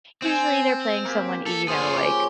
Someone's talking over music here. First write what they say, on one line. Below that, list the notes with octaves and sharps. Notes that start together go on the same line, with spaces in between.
usually, they're playing someone, y you know, like,
C4 G5 G#5
A#3 G4
A4
F3 F4 G#4 C#5
C#3 G4